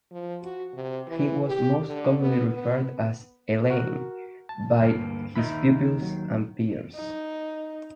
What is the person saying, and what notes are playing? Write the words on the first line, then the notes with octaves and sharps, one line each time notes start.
He was most commonly referred to as "Alain" by his pupils and peers.
F3
F#4
C3
E3
G4
D3
B3
B3
F#4 A#4
A5
D2 G2 A#3
D#2 D#3 D#5 E5 B5
F#3
D#4